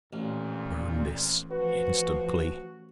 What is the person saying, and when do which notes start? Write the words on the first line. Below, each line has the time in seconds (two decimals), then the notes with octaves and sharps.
Burn this instantly.'
0.13 A1 F2 A#2
1.51 F3 F#4 B4